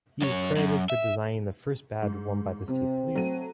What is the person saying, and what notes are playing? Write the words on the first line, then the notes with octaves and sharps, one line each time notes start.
He is credited for designing the first badge worn by the state police.
F#2 C#5
F#2
E5
G#2
C3 C4
F#3 A3 D#7